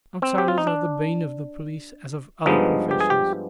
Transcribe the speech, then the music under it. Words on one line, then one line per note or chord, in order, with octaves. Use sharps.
Outsiders are the bane of the police as of other professions.
C4
G4
F4
D#4
D4
G2 F3 G#3 B3 D#4
G4
G#4
G4